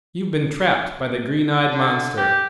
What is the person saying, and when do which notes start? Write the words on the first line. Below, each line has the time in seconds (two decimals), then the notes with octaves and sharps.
You've been trapped by the green-eyed monster.
1.71 D3
2.17 G4